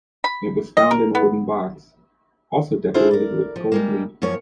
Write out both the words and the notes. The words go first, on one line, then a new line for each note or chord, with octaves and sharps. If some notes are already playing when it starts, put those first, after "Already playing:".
It was found in a wooden box, also decorated with gold leaf.
B5
D#5
A#4
B3
D4 E4 F4 G#4 A4 C5
A#4 D5
F3
G3 G#3 A#3
F#2 F3 A#3 C#5